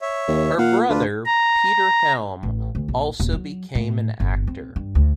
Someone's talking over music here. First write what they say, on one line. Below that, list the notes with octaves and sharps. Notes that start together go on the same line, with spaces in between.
Her brother, Peter Helm, also became an actor.
C#5 E5
D#2
A#2 F5 F#5
D2 D4 F4 B4
A#5
A1
D2
A#1
D#1
F#3
A2
G1
C4
G2
D2